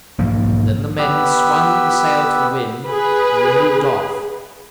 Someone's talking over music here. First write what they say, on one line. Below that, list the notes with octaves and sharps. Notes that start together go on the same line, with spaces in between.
Then the men swung the sail to the wind, and we moved off.
B1 G#2 F3 A#3
B3 G4 B4 E6
G#4 B4